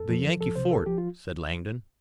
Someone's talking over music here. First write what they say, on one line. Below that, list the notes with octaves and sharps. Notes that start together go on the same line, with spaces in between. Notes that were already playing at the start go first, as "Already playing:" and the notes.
"The Yankee fort," said Langdon.
Already playing: F2 A4
F3
F3
C2 A4
C3 C5
C2 A4
F3 G4
F4